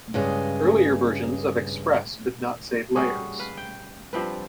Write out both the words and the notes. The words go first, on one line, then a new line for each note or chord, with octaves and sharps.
Earlier versions of Express could not save layers.
G2 C#3 G#3
G3 C#4 F#4 G#4
B4 F5
G5
G2 F3 C4 B4